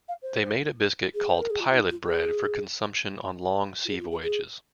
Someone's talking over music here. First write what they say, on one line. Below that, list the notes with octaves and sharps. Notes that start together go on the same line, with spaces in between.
They made a biscuit called pilot bread for consumption on long sea voyages.
F5
C5
G#4
C5
A#4
G#4
F4
F4
D#4
F4
G#4
F4
G#4
F4
G#4
G#4